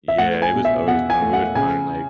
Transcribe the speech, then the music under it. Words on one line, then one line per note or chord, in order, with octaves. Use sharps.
Yeah, it was always fun. We would find, like,
E5
A3 F#5
G#5
B2
E5
E2 F#5
G#5
A3
F#5
C#3 G#5